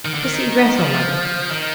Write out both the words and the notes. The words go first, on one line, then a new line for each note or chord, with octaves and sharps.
'To see Grettel, Mother.'
D#3
D3
D#3
F3
D#3